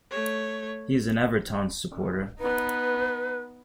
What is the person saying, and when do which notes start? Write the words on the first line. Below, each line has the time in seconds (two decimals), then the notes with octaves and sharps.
He is an Everton supporter.
0.11 A3 C#5
2.40 B3 D#4 B4